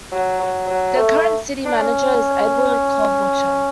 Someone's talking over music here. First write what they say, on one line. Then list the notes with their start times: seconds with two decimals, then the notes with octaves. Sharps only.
The current city manager is Edward Klobucher.
0.12 F#3
0.39 F#3
0.67 F#3
0.96 A3
1.65 D4
1.78 C#4